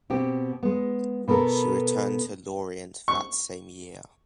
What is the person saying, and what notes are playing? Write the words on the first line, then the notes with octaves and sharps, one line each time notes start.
She returned to Lorient that same year.
B2 C4 G4
G#3 B3
B2 B3 A4 A#4
C#6